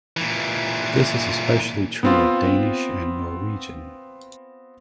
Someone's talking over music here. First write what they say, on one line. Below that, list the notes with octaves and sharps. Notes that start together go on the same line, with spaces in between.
This is especially true of Danish and Norwegian.
A#2 E3
B3 C4 F4